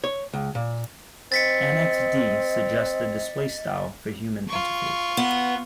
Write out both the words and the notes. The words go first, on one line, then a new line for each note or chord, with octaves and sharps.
Annex D suggests a display style for human interface.
C#5
C#2
A#2
C4 D#5 A6 B6 C#7
F4 C#6
B3